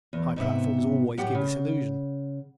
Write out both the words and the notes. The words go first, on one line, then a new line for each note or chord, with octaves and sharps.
High platforms always give this illusion.
E2
G#2 C3 B3 E5
A2 G4 F#5
C#3